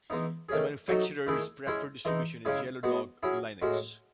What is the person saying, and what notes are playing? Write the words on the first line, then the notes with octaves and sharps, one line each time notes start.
The manufacturer's preferred distribution is Yellow Dog Linux.
E3 G#3 B3 D#4
D#3 A3 C#4 G#4
F#3 A3 D#4 F#4
D#3 A3 E4 G#4
G#3 C#4 E4 G#4
E3 G#3 D#4
C#3 G#3 C#4 E4 G#4
G#3 B3 F#4
F#3 C#4 E4 G#4
A2 G#3 C#4 F#4